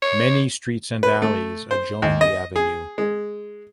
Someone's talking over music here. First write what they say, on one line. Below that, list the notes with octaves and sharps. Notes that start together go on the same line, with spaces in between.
Many streets and alleys adjoin the avenue.
C#5
B4
A3
C5
D#2
D#5
G#4
G#3